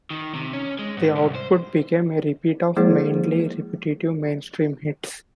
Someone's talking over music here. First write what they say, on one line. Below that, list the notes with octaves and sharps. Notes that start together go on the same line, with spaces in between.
The output became a repeat of mainly repetitive mainstream hits.
D#3
C3
C#4
G#3
G#2
C2
C5
F3 G#3 A#3 E4 G#4 C5